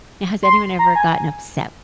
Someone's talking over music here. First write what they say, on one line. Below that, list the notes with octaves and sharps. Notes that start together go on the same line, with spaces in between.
Now, has anyone ever gotten upset
C6
A#5
G#5